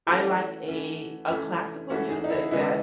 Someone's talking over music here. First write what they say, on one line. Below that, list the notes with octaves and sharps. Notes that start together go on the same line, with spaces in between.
I like a a classical music that
E3 A3 C#4 F#4
E3 A3 C#4
E3 A3 C#4
E3 A3 C#4 F#4
G#4
D#4
E4
C#3 E3 G#3 B3 E4